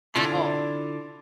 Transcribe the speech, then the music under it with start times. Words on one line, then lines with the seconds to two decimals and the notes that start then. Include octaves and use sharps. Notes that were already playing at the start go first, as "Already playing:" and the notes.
at all.
0.15 D3 E4 F4